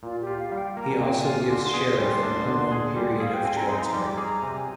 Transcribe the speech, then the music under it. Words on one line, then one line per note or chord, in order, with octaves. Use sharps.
He also gives Sheriff an unknown period of jail time.
A#2 F4
G4
F4
F5
G3 F5
G5
A#3 A#5
G#5
A#2 G5
G#5
F4
D3 C6
G#4
G3
D4
D3
G#4
G3
G#4 F5
G5
C4 G#5
A#5
D#4 C6
A#5
C6
G3
D6
G#4
A#5
C3 G#5